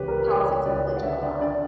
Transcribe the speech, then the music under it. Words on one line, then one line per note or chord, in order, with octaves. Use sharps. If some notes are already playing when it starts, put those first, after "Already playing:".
politics and religion a lot,
Already playing: C#2 E3 G4 B4 C#5
A#4
C#2 C#5
C#2 D5
F#5
D3 E5
D5
D3 D5